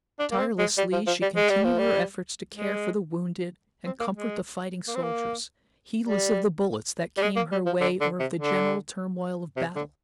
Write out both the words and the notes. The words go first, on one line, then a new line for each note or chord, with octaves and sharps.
Tirelessly she continued her efforts to care for the wounded and comfort the fighting soldiers, heedless of the bullets that came her way or of the general turmoil of battle.
D4
A#3
C4
G#3
G3
F3
F3
G3
G#3
G3
F3
G3
G#3
C4
A#3
G#3
A#3
C4
A#3
G3
G3
G#3
A#3
G3
F3
D3
D3
C3
D3
C3
D3